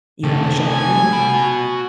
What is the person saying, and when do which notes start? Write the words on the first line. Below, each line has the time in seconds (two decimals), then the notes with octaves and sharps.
you have the shotguns?
0.23 C3 A3
0.68 G#5
1.12 F#4 B5